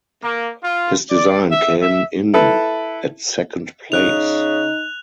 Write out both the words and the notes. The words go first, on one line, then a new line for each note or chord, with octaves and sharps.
His design came in at second place.
A#3
F4
D5
E5
E5
E4 A4 B4
C#3 D#4 F#6 F7